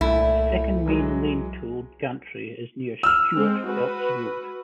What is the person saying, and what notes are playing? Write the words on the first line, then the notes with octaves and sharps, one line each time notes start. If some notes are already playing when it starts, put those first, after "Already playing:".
The second main lane toll gantry is near Stewart Feltz Road.
C2 A#2 A3 E4
E3 F#3 G#3
E6 F6
G#3 C4
F#4 B4